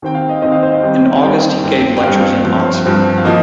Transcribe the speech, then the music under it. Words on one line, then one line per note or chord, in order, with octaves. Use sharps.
In August he gave lectures in Oxford.
D#2 D#3 C4 G5
F5
D#5
D#2 D#3 C4 D#5
F5
C5
D#5
D#2 D#3 G3 C4
D#2 D#3 G3 C4 G5
G2 G3 C4
G5
G2 G3 C4 F5
G2 F3 C4
G2 F3 C4
F5
F3 A#3 D#5